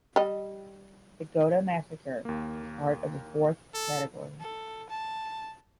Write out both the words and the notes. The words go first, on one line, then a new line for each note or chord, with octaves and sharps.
The Goda massacre is part of the fourth category.
G3 D#5
D#2 A#3
A4
A4
A5